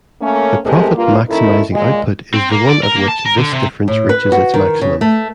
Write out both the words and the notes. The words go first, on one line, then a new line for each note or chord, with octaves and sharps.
The profit-maximizing output is the one at which this difference reaches its maximum.
A3 A#3 C#4
E2 G#3 A3 C4 G4 A#4
G2 A#3 F4
D#3 A#3 C#4 D#4 E4 A4
A#2 G#3
C4
A#3
D5
A#4
A#3
A5
A#4
D3
C3
A2
B4
F#4
D#3
C#3
A3